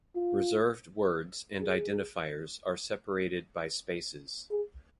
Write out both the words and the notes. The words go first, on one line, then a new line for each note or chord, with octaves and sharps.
Reserved words and identifiers are separated by spaces.
F4
G#4
G#4